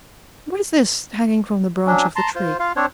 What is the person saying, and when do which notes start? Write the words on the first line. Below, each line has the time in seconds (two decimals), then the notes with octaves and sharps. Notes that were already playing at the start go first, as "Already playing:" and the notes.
What is this hanging from the branch of the tree?
1.87 F#3 C#4 D4
2.16 A5 A#5 C6
2.36 F4 C5
2.60 F4 F5
2.76 C4 D4 C5 C#5